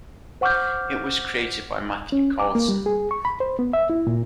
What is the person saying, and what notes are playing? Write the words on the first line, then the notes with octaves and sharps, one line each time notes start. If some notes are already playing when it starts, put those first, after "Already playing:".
It was created by Matthew Carlson.
C5 F#5 C#6 D6 F6 G6
C#4
D6
A#3
G3
G#4
C#6
B5
C5
B3
E5
E4
A#2